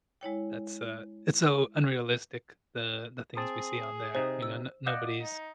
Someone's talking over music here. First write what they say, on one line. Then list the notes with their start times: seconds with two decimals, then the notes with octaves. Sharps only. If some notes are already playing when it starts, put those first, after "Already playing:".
that's, uh, it's so unrealistic, the the things we see on there, you know? No nobody's
0.21 G#3 E4 C#5 G5
3.37 C4 G#4 A5
4.15 C3 D#4 C5
4.43 E6
4.86 D5 D#5 F5 F#5 G6 E7
5.22 D#4